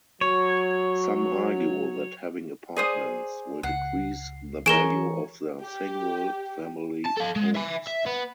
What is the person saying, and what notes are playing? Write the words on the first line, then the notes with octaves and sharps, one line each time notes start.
Some argue that having apartments will decrease the value of their single family homes.
F#3 C#5
G#4 C5 D5 D#6
C#2 F#5 C7
E3 G#4 A#4 C#5 D7 E7 G7
G4
A5
A4 F5
G#3
E5 G#5
E5
B3